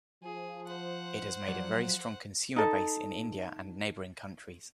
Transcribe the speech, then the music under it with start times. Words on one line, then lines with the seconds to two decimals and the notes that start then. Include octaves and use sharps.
It has made a very strong consumer base in India and neighboring countries.
0.23 F3 G#4
0.66 C5 F#5
1.48 F3 F#3 D5
2.56 D#4 A4